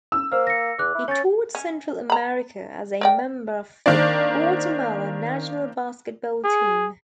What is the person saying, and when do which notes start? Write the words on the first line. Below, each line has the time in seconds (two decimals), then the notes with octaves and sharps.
He toured Central America as a member of the Guatemala national basketball team.
0.12 E6
0.32 A#3 C5 F6
0.47 A#6 C#7
0.79 E2 D6 F#6
0.95 E4
1.08 C#4 C#5 A6
1.55 C#4
2.10 A#5 B5
3.01 A#4 D5 G5
3.86 D#3 A#3 C4 D4 D5
6.44 G#4